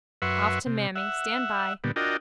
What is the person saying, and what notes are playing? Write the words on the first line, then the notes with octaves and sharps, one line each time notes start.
Off to mammy. Stand by.
F#2 B4 E5 F#5 C6 C#6
C3
E5 F#5
A#2 D3 G3 B3
D4 F4 F#4 A#4 D#5 G5